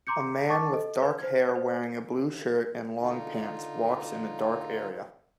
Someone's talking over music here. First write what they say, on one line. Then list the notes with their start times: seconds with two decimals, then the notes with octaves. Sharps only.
A man with dark hair wearing a blue shirt and long pants walks in a dark area.
0.07 A#5 C6 D6 G6 C#7
0.49 A5 C#6 D6 A6
0.73 A4 D#5
1.02 B4
1.18 C5 G#6
1.55 C5
3.00 D3 D#4 F4